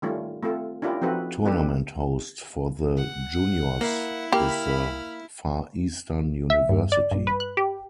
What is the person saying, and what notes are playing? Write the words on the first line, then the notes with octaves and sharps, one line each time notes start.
Tournament host for the juniors is the Far Eastern University.
D#3 G3 A3 C#4 F4
A3 C4 F4 A4
C#4 D4 E4 F4 G4 A#4
F3 C4 D#4 F#4 A4 B4
B3 C4 D4 G4 A4 B4
F#5
A#3 E4
A#3 G4 B5 F6
E5
G2
D5
G2
B4
F#6
G4